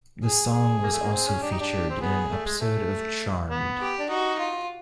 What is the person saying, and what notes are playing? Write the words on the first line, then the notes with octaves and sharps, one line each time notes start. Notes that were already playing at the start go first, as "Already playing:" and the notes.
The song was also featured in an episode of "Charmed".
G#4
G#4
A#3
A3
A#3
C4
C#4
D4 G4
D#4
D4
C4
B3 G#4
A3
G#3
A3
B3
G4
D4
D#4 F#4
F4